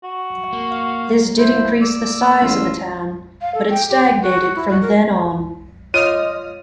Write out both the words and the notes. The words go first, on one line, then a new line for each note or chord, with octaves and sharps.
This did increase the size of the town, but it stagnated from then on.
F#4
A#3
F5
E4 C5
D5 E6
A1 F4
F5
A4
G5
G4
G5
F#4
F#4
E4
F#4
A#4
F4 C#5 D#5 D6 D#6 F6 D#7